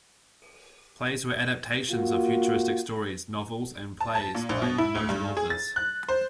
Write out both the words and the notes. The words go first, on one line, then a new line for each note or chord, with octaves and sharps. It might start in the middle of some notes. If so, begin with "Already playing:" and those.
Plays were adaptations of futuristic stories, novels and plays by noted authors.
A#3 F4 F#4
A5
A5
A#2
A#1
B2
E4
D2
G2
G#4
A6
F#6
C5